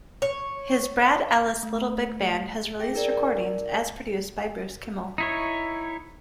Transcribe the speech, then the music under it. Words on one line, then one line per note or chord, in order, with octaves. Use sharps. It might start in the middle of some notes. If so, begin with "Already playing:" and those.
His Brad Ellis Little Big Band has released recordings, as produced by Bruce Kimmel.
C#5
F5
A3
G#4 G5 A#6
D#4 A#4 D5
D#4 E4 C#5